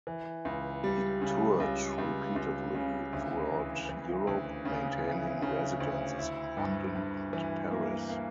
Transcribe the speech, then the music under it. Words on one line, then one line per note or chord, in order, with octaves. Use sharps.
He toured repeatedly throughout Europe, maintaining residences in London and Paris.
E3
C#2
G3
C#3
C#2
C#2
C#2
C#3
D2
E3
E3
D2
C#3
E3
C#3
D2
E4
G2
G2
E3
A#3
A#3